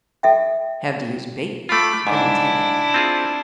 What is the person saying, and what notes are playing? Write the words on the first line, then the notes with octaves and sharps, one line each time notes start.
"Have to use bait," grinned Terry.
A4 E5 G5
A3 F4 B5 D6
G#2 D4 E4
C4 F4 G#4